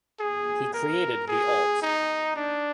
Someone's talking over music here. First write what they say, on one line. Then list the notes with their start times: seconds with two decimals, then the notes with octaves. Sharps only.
He created the alt.
0.20 G#4
0.74 A#4
1.28 G#4
1.82 D#4
2.36 D4